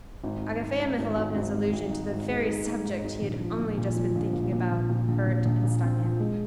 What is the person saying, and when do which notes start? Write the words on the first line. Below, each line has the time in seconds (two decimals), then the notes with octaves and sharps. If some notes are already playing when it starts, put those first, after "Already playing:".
Agafea Mihalovna's allusion to the very subject he had only just been thinking about, hurt and stung him.
0.23 G#1
0.42 D#4
0.61 G#2
0.79 D#4
0.98 G#1
1.16 G#1
1.36 G#1
1.54 G#2
1.73 G#1
1.91 D#4
2.10 G#1
2.28 G#3
2.47 D#4
2.66 D#4
2.85 G#2
3.03 G#1
3.22 A#1
3.40 F3
3.59 A#2
3.77 A#2
3.96 F3
4.15 A#1
4.33 A#2
4.52 A#2
4.71 A#2
4.89 A#2
5.08 A#1
5.26 A#2
5.45 A#1
5.64 A#2
5.83 C4
6.01 F3
6.19 G#3